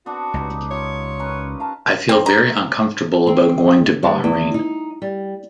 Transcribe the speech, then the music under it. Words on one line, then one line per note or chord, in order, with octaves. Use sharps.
I feel very uncomfortable about going to Bahrain.
B3 C4 D4 F#4
C#2 D#4 G4 B4
F4 C#5
C#4 A#4 B4
F5 A5 A#5
C4
A#5
C4
G2
E2
D#4
G3